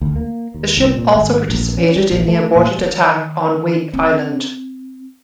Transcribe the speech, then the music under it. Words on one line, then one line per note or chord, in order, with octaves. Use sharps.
The ship also participated in the aborted attack on Wake Island.
D2
A#3
D#2
C2
A#2
G#1
A#1
C#4
G3
A#1
A3
A#2
D#3
C4